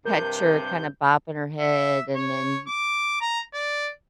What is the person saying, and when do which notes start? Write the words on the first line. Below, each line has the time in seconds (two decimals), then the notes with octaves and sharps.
catch her kinda bopping her head and then
0.05 G2 C3 A#4 G6
1.60 E5
2.16 C#5
2.67 D6
3.21 A#5
3.54 D5